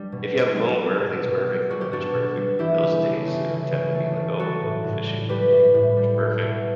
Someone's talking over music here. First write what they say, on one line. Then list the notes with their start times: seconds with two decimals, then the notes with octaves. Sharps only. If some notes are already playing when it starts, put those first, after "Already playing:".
if you have a moment where everything's perfect, the weather's perfect, those days are tend to be like, "Oh, I'm going fishing today, the weather's perfect,"
Already playing: G3 D4
0.12 B2
0.35 B2
0.57 G3
0.80 G3
1.02 B2
1.25 B2
1.47 G3
1.70 G3 F#4
1.81 G4
1.92 B2 D4 F#4
2.14 B2
2.37 G3
2.59 E3 E4 G4
2.82 C#3
3.04 A3
3.27 C#3
3.50 E3
3.72 C#3
3.94 A3
4.17 C#3
4.39 G3 F#4 A4
4.62 A2
4.84 A2
5.06 G3
5.29 G3 G4 B4
5.52 A2
5.74 A2
5.97 G3
6.20 A3
6.42 B2